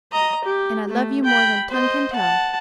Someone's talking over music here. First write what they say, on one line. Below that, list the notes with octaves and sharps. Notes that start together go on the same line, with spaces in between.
And I love you more than tongue can tell.
D#5 A#5
G4
A3
G5 B5
C5 D#5
F#5 A5